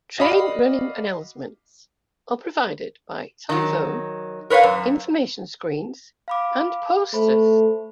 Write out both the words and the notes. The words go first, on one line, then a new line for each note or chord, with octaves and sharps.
Train running announcements are provided by telephone, information screens and posters.
F#4 D5 D#5 F5 B5
D#3 F#3
A#4 B4 C#5 E5 F5
F#2
F5 B5 D6
A3 C5 B5